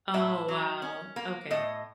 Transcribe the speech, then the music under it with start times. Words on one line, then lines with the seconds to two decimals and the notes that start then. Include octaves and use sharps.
Oh, wow. Okay.
0.14 A2 E5
0.48 F#3
0.82 C#4
1.16 A#3
1.51 A2 D#5